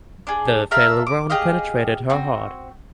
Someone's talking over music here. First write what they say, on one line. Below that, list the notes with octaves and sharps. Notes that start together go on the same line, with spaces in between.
The fatal wound penetrated her heart.
D4 G#4
A4 A#4 E5 F5
D6
G4 G#4 D#5 F5
C4 F#4